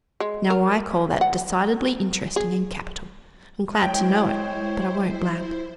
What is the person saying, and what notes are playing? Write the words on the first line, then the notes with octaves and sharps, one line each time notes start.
Now, I call that decidedly interesting and capital. I'm glad to know it; but I won't blab.'
G#3
A#4
F#5
G#4
G#3 E4 C5 C#5 G5